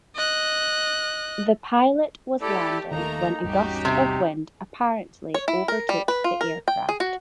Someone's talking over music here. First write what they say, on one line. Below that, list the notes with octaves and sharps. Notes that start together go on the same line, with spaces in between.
The pilot was landing when a gust of wind apparently overtook the aircraft.
D#5 F#6
A3 E4 G4 A4 D5
D#1 D#3 A3 A#3 D#4 A#5
G#1 E2 G3 C#4 F#4 G4
C3
C#5
E4
A#4
G3
B4
F4
A#4
G5
G#4
F#4